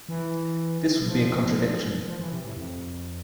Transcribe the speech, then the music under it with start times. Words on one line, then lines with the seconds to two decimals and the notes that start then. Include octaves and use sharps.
This would be a contradiction.
0.09 E3
1.08 F3
2.08 F3
2.20 E3
2.32 C3
2.45 A2
2.57 F2